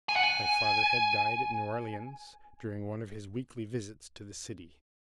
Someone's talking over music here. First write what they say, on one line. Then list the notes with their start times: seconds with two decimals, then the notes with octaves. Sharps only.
My father had died at New Orleans during one of his weekly visits to the city.
0.09 G#5
0.16 F#5
0.24 G#5